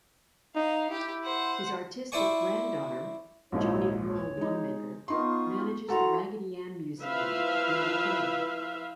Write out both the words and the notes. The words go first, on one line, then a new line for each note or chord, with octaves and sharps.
His artistic granddaughter, Joni Gruelle Wannamaker, manages the Raggedy Ann Museum in Arcola.
D#4 F5
E4 G4
C5 F#5
E4 C5 D5 G#5 C#6
A#1 D#2 G#2 D#4 E4 C#5
C#5
G#3 D#4
B3 D#4 F4 C6 C#6 D#6
E4 F#4 A4 A#5 C6
F3 E4 B4 E5 F5